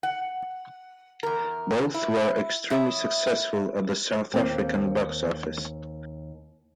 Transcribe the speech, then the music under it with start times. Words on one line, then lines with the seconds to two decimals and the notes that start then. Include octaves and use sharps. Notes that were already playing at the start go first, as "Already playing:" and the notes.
Both were extremely successful at the South African box office.
0.03 F#5
1.23 E2 A#4
1.94 E4
2.70 E4 C#5 E5 D#6
4.34 D#2 A#3 C4